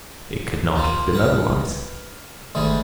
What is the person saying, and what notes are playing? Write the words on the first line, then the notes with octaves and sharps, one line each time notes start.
It could not have been otherwise.
C2 F3 A#3
A#4 B4 F#5
G1 D2 D#3 G3 G#3 E5